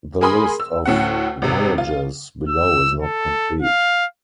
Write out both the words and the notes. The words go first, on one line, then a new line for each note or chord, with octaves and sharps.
The list of voyages below is not complete.
G#4 A#4 G#5 B5 C6 D#6
E6
D2 A2 C#4 F#5
G#1 C3
F4
E6
A4
F5